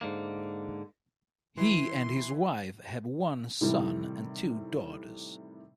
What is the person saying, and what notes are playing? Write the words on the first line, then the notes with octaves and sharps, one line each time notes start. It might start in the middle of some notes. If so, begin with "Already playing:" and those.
He and his wife have one son and two daughters.
G#2 D3 A#3
E3 E4 C6
A2 C3 D#3 E3 G3 E4